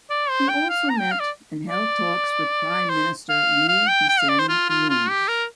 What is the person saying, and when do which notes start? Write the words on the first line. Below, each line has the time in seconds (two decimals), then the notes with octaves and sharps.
He also met and held talks with Prime Minister Lee Hsien Loong.
0.10 D5
0.29 C5
0.49 G5
0.69 F5
0.90 A#5
0.99 G5
1.11 F5
1.20 D5
1.70 D5
2.89 C5
3.29 F5
3.68 F5
3.88 G5
4.09 G5
4.19 F5
4.29 D5
4.39 C5
4.49 F4
4.69 F4
4.89 F4
5.09 G4
5.28 A#4